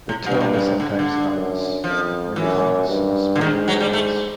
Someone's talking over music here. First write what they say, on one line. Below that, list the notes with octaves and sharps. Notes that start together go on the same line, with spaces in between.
The term is sometimes synonymous with minicomics or special variants.
A2
G2 A#2
C#3
C3
C#3
C3
D3
C#3
D3
F#2
F2 F3
F#2 E3
G2
D3
G#2 D#3
F#3
G3
A3